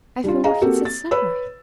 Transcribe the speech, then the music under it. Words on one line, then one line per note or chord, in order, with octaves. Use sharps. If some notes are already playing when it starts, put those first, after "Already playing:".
I have been walking since sunrise.
G3 D4 F4
G#4 D#5 F5 A#5
A#3 C4 F#4 G4 A4
A6
B4 C#5 B5 E6